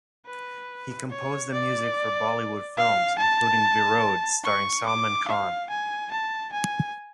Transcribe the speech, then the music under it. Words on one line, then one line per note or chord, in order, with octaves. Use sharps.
He composed the music for Bollywood films, including Virod, starring Salman Khan.
B4
C#5
D5
F5
A5
C#6
D6
F5
G#5
A5
G#5